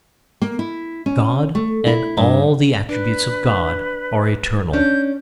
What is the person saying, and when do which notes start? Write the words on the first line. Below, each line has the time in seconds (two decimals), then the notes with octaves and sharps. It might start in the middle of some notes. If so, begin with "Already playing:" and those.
God, and all the attributes of God, are eternal.
0.42 A#3
0.59 E4
1.06 C#4
1.55 A3
1.86 E4
2.17 G2
2.89 D4 B4
4.73 C#4 D4 G6